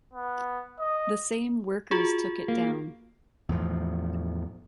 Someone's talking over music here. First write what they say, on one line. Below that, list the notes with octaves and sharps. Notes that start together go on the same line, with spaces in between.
The same workers took it down.
B3
D#5
F4 F#4 G#4
A#3
E2 A2 F3